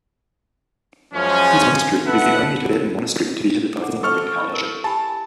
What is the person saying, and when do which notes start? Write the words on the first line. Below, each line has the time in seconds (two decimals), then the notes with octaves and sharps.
This monastery is the only Tibetan monastery to be headed by a female re-incarnation.
1.14 F#2 F3 G#3 C#4
2.07 A4 B4 E5 F#5
3.81 F#5 A#5 D6
4.03 A4 C#6 F6
4.38 E4 D#5 B5
4.54 A#4
4.84 G4 G#5 A5 B5